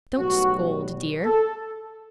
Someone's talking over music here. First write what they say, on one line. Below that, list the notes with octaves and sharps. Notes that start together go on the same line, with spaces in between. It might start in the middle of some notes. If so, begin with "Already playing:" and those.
'Don't scold, dear.
B1 A2 G3 B3 F#4
A4